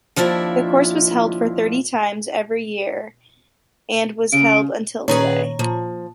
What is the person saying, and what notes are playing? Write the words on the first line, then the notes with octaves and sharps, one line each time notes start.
The course was held for thirty times every year and was held until today.
D#2 F3 D4 E4 E5
C#3 D7
A#2 D#3 C#4 G#4 B4 C#5 D5 A#5
A#2 F3